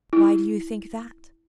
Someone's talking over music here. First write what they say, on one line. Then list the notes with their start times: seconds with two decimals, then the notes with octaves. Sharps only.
"Why do you think that?"
0.13 E4